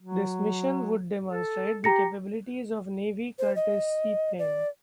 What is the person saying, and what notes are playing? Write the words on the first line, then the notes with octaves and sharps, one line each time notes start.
This mission would demonstrate the capabilities of the Navy Curtis seaplane.
F#3
A4
G4 A#5 A#6 C#7
C5
D#5
D5